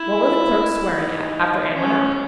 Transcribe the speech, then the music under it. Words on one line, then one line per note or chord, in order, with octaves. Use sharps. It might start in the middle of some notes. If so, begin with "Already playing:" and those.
What were the clerks swearing at after Ann went out?
Already playing: E4
D#4
C#4